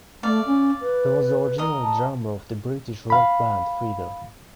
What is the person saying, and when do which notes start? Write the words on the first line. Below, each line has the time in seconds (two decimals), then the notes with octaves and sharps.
He was the original drummer of the British rock band Feeder.
0.23 A3 D5 F5
0.46 C#4
0.81 B4
1.58 A#4 D#5
1.82 A5
3.10 F5 B5